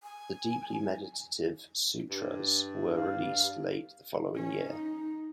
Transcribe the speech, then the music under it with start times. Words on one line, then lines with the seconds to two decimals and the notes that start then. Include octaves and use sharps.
The deeply meditative "Sutras" was released late the following year.
0.03 G#5
2.10 G2
2.97 F5
4.36 C#4
4.70 D#4